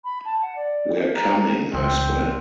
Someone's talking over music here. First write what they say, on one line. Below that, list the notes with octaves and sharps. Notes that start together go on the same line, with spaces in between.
We're coming, I swear.
B5
A5
F#5
D5
E5
A#5
C#2 E3 C4